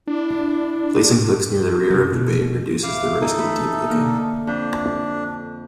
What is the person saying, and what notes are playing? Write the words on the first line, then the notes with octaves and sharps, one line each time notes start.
Placing hooks near the rear of the bait reduces the risk of deep hooking.
D4 E4
C3 F#3
B2
E3 F5 D6
D#4 A4
E3 A3 B5
D3 A#3 F6
F2 D4 G6